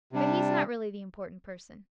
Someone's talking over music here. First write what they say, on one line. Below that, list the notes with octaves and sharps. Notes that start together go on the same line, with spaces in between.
But he's not really the important person.
C3 G3 D4